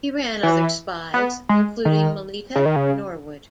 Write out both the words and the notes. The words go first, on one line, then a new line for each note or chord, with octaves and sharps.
He ran other spies, including Melita Norwood.
E3
B3
G#3
D#3
C#3
D#3
C#3